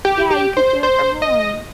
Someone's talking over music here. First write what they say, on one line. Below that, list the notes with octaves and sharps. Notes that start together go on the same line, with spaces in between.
Yeah, you could do it from home.
G4
G4
C5
C5
D#5